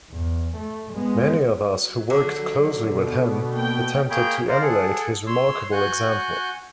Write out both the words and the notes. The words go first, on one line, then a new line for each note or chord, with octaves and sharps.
Many of us who worked closely with him attempted to emulate his remarkable example.
E2
A3
G#3 B3
F#3
D3
B2
A#3 G5
A#3 G#4 C#5 G5 B5 G6
A#4 C5 D5 F5
G#4 A4 F#5
C#5 C6 E6
F#4 F#5 G#5 F#6 G6